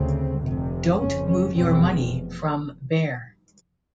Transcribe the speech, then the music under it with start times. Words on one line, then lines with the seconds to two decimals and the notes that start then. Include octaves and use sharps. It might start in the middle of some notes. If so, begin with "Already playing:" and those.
Don't move your money from Bear.
Already playing: D2 C#3 C4
0.41 F1 F2 C3
0.98 F1 F2 C#3 C#4
1.27 C#4
1.56 F1 E2 B2 C4